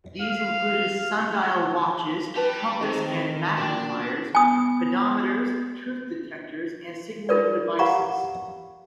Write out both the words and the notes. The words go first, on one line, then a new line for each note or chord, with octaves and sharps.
These included sundial "watches," compass-and-magnifiers, pedometers, truth detectors, and signaling devices.
F5
G4 B4 A5 B5
D#3 C4 A4 D#5
A#2 D4 F#4 G5
B3 G#5 D#6
D#4 F4 A#4 B4 D5
G4 F5 F#5 A#5 B5 C#6